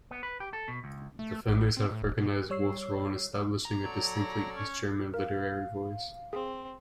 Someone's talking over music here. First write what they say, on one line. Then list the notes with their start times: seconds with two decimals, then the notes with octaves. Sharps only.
Defenders have recognized Wolf's role in establishing a distinctly East German literary voice.
0.11 B3
0.23 B4
0.40 G4
0.53 A4
0.68 B2
0.84 C#2
1.19 A3
1.48 A1
1.77 C4
1.91 A2
2.02 D#1
2.17 B2
2.50 G3 C#5 E6 C7
3.65 A#5
3.83 F#3 A4 C#5 D5
4.54 C#4
5.14 A#4 F5
6.33 C4 G#4